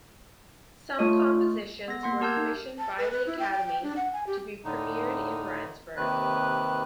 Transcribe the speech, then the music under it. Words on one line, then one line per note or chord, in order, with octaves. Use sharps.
Some compositions were commissioned by the academy to be premiered in Rheinsberg.
A3 F4 C#5 D#5
B3 A#6
A#3 F#5 C6
G4 A#4 A5 E6 G6 G#6
D#4
A5
B4
B4
E4
G5
G5
G5
D4
F#5
G#5
G4
A2 D3 D#4
D#2 C3 D#3 B4 F#6